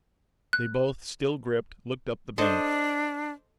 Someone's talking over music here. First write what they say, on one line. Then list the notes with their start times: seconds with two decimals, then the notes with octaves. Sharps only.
They both, still gripped, looked up the bank.
0.53 F#6
2.38 D4 A4 C5 D#5